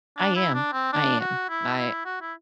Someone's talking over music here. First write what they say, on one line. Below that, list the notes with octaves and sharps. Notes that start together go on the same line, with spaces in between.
I am. I am. I uh,
D4
E4
D4
C4
D4
F#4
E4
E4
F#4
E4